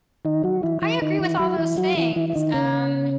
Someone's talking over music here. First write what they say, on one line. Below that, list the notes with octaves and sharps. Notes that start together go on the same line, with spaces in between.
I agree with all those things, um
D#3 D#4
F#3 F#4
E3 E4
E3 E4
D#3 D#4
E3 E4
F#3 F#4
E3 E4
F#3 F#4
E3 E4
E3 E4
E4
D#3 D#4
C#3 C#4